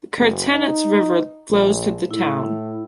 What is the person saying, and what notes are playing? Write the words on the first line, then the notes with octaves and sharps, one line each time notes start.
The Kerzhenets River flows through the town.
F#1
D#4
A#1
A2 E4